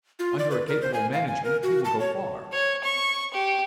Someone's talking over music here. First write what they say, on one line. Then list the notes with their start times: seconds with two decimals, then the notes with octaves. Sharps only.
Under a capable management he will go far.
0.19 F4
0.39 D5
0.51 B4
0.68 A#4
0.82 C5
0.94 G#5
1.13 F5
1.27 G#5
1.44 A#4
1.63 F#4
1.85 A5
2.00 C#5
2.53 C#5
2.83 C#6
3.33 G4